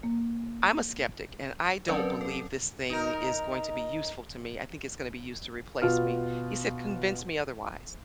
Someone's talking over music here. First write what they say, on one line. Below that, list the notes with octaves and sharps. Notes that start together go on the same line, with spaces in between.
"I'm a skeptic, and I don't believe this thing is going to be useful to me, I think it's gonna be used to replace me." He said, "Convince me otherwise,"
A#3
F#3 C4 C#4 A#4 B4 D5
A4
D#4 A#4
B2 F4 F6